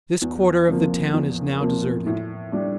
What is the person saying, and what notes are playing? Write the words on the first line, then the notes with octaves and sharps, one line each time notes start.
This quarter of the town is now deserted.
E2
C3 F3 A#3
E2
C3 F3 A#3
A2
G3 D4